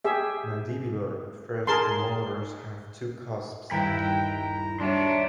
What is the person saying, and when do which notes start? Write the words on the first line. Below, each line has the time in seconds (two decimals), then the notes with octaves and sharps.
Mandibular first premolars have two cusps.
0.05 G4 G#4 E5
1.67 G#4 A#4 A5 C6
3.71 D#1 G2 E4 G5 A#5 B5 F#6
4.80 G3 D4 F#4 C#5 E5 C6